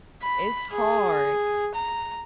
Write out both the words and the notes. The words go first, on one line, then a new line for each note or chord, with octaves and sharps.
it's hard.
B5
G#4
A#5